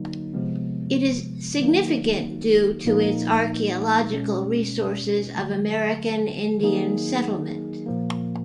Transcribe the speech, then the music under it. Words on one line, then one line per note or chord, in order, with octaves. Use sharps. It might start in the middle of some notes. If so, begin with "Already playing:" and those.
It is significant due to its archaeological resources of American Indian settlement.
Already playing: D3 F#3 A#3 D#4
C3 F3 G#3 B3
D#3 F#3 A#3 D#4
A#2 F3 A#3 D#4
B2 G#3 C#4
D3 F#3 A3
D#3 F#3 A#3 D#4 G#4
A#2 F3 A#3